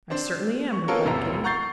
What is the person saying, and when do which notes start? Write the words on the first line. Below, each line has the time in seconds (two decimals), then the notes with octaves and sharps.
"I certainly am," replied Kitty.
0.10 C4 D4 C5
0.73 C#6
0.88 A#3 B3 C#4 F4 A4 A#4
1.05 E1 A1 C3 A#5
1.44 F#5 A#5 C#6 G6 A6 C7